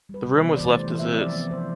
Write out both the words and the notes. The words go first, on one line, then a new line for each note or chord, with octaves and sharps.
The room was left as is.
G3 B4
C3
B3 C5
E3 D5
A3
C5
E3
C4 E5
F3 D5
B3
F3 C5